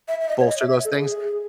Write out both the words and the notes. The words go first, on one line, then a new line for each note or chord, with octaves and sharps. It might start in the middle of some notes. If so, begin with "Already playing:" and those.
bolster those things.
E5
E5
D#5
C#5
D#5
E5
E5
A4
G#4